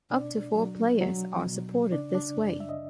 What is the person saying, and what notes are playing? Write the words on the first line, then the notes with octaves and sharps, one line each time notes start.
Up to four players are supported this way.
B2 D4 D5
F#3
F#3
B2
C#3 D4 D5
D4 D5
F#2
E5
D#5